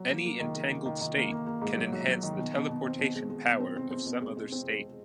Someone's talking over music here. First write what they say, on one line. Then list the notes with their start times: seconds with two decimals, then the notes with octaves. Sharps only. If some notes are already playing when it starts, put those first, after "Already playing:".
Any entangled state can enhance the teleportation power of some other state.
Already playing: F#3
0.09 A#3
0.25 A#3
0.40 D#3
0.56 A#3
0.70 A#3
0.86 D#3
1.01 D#3
1.17 A#3
1.31 A#3
1.46 A#3
1.62 G#2
1.77 F#3
1.92 F#3
2.08 F#3
2.23 D#3
2.38 B2
2.54 B2
2.69 B2
2.84 C4
2.99 B2
3.16 G#3
3.30 G#3
3.46 B2
3.60 C4
3.76 C4
3.91 C4
4.06 B2
4.22 G#3
4.37 G#3
4.52 C4
4.68 G#3